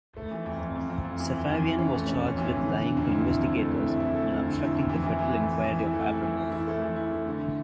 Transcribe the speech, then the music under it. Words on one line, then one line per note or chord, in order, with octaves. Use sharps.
Safavian was charged with lying to investigators and obstructing the federal inquiry of Abramoff.
A3
E3
F2
F2
F2
F2
F2
E3
F2
E3
E3
C#4
A3
C#4
F2
E3
D3
D3
D3
F2
E4
E4
F2
A3
A3
E4
E4
A3
F2
D3
E4
F2
E3
E3
E3
A3
E3
E3
E4
A3
E4
E3
A3
E4
A3
E3
E4
A3
D3